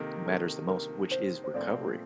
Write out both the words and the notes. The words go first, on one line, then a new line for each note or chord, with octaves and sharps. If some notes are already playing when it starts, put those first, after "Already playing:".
matters the most, which is recovery.
Already playing: C3 D#3 A#3 A4
A4
A#4
C5
C5
A#2 F3 A3 C4 D5